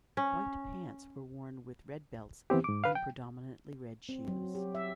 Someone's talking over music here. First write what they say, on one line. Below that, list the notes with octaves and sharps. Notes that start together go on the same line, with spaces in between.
White pants were worn with red belts and predominately red shoes.
C#4
E3 B3 C4 G4
G#2 D6
B4 F5
G5
C4
F#3
G4
E5